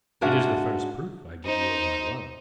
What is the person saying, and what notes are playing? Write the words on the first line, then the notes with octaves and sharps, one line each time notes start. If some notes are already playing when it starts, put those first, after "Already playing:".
"It is the first proof I give you of my love."
G#2 G#3 D4 F#4 E5 F5
D#4 C5